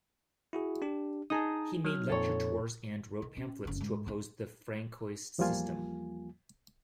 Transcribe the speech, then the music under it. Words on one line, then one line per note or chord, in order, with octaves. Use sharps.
He made lecture tours and wrote pamphlets to oppose the Francoist system.
E4 F#4 G#4
D4 G4
D#4 G#4 A5 A#5 D#6
F#3 F6
F2 A#2 A4 C#5
D#3
C#4
F#1 F#2
G#2
D#4 E4
E2 F3 G3 A#3 F4 G#5